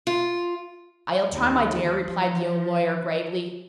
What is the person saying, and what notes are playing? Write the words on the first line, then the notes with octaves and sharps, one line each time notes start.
"I'll try, my dear," replied the old lawyer, gravely.
F4
D#2
F3